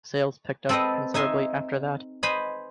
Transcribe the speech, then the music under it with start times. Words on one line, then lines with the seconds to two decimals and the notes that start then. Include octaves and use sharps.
Sales picked up considerably after that.
0.69 C4 A4 B4 C5 D#5
1.14 D#4 E5 G#5 C6
2.23 B4 C5 D#5 G#5 B5